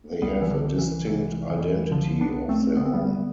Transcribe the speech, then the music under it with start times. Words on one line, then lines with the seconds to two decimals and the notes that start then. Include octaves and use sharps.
They have a distinct identity of their own.
0.22 C2 G3 B3
0.42 E3
0.51 D3
0.65 C2
0.79 E3
1.07 C3 E3
1.49 E1 E3
1.92 C2 D3 F3
2.21 B3 D4
2.34 C2
2.49 A3 C4
2.76 D3 B3
2.85 C4
2.94 G3 B3